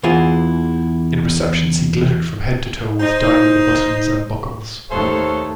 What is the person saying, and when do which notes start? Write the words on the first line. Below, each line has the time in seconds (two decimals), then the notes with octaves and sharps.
In receptions he glittered from head to toe with diamond buttons and buckles.
0.03 E2 E3 E4 F4 G#4 G#5
2.99 D#4 C5
4.91 D#2 A3 A4 C5 C#5 F5